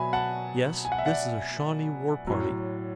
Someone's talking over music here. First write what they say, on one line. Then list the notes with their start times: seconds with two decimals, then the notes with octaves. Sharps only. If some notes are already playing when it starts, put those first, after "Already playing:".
Yes, this is a Shawnee war-party.
Already playing: B2 F#3 E5 G#5 B5
0.13 F#5 A5
0.85 G#5
0.92 F#5
0.98 E5
1.06 D5 F#5
2.27 A2 F#3